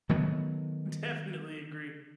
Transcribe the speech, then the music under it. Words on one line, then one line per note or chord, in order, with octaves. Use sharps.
definitely agree.
D#3 F#3 A3 B3